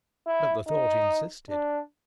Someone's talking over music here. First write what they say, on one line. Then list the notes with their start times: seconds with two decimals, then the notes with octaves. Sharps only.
But the thought insisted.
0.27 E4
0.67 D#4
1.50 D4